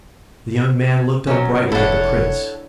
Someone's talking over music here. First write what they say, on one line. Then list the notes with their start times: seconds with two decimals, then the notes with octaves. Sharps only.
The young man looked up brightly at the Prince.
1.27 B2 F#3 C#4
1.72 F1 D4 E4 A4 C#5 F#5